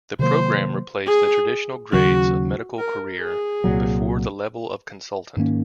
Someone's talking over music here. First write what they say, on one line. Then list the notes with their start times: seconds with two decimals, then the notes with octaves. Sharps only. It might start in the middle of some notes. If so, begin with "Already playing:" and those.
The programme replaced the traditional grades of medical career before the level of Consultant.
0.19 C3 D#3 F#3 A#3 C5
1.06 G#4
1.92 D#2 C#3 F#3 C#4 F#4
2.78 A#4
3.21 G#4
3.64 C2 A#2 F#3
5.37 G#2 D#3 A#3 C#4